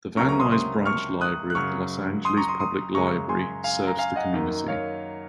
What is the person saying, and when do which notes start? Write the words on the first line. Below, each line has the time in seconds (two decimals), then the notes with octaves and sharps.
The Van Nuys Branch Library of the Los Angeles Public Library serves the community.
0.16 C#2 C3 F#3 A#3 C#4 A#5 C#6
0.28 A#5 C#6
0.40 C6 D#6
0.51 C6 D#6
0.86 C#6 F6
1.21 D#6 F#6
1.50 F#6
1.55 F#2 C#3 F#3 C#6 F6
2.25 C6 D#6
2.37 A#5 C#6
2.48 C6 D#6
2.60 C6 D#6
2.94 F#2 C#3 G#3 A#5 C#6
3.29 G#5 C6
3.64 F5 G#5
3.87 A#5
3.99 F5 G#5
4.16 D#5 F#5
4.33 F#2 D#3 A#3 D#4
4.68 C#5 F5